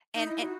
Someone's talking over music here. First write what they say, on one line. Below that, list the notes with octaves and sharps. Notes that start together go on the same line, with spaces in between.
And and
D#4
E4
F#4